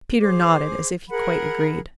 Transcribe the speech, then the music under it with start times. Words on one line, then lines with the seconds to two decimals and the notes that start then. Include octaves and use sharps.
Peter nodded as if he quite agreed.
0.21 G#4 C5 D6
1.09 G#4 A#4 F#5 B5